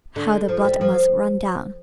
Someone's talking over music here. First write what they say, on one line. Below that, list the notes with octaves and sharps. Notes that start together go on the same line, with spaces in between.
How the blood must run down.
D3
F3
G3
F3